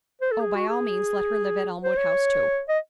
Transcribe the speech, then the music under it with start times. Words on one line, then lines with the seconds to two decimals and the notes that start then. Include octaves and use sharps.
Oh, by all means let her live at Elmwood House too.
0.22 C5
0.32 A4
0.41 G#4
0.55 F#4
0.69 G#4
1.83 C5
1.97 C#5
2.69 D#5